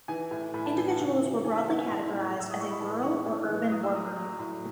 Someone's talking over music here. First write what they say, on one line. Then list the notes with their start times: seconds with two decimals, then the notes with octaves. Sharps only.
Individuals were broadly categorised as a "rural" or "urban" worker.
0.08 E3 G#5
0.31 A2 G#5
0.54 A2 B5
0.66 A5
0.77 E3 G#5
0.90 A5
0.99 C#3
1.22 E3
1.44 E3 G#5
1.56 E5
1.67 E3 F#5
1.78 G#5
1.89 A2 A5
2.13 A2
2.35 A2 E6
2.51 D#6
2.58 A2 C#6
2.71 B5
2.80 E3 A5
3.03 E3 C#6
3.26 A2
3.48 E3
3.71 F#3 D#6
3.83 E6
3.93 F#3 D#6
4.16 F#3
4.39 A2